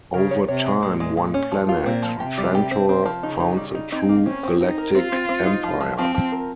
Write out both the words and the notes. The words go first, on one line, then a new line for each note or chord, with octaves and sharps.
Over time one planet, Trantor, founds a true Galactic Empire.
C#3 A#4
C#5
C3 C#5
G#3
A#2 G#3
G#3
G#3
C#4
F3
F4
A#2 C4
F3
C3 G4
G3
G4
C4
C4
F3
C#3 D#4
D#4
G3
D#4
C4 D#4
A#3
C4 C#4
C4
C4 D#4
A#4
C4 F4
C4
C4
D#4
F3
F3
F3 C4
F3
A#4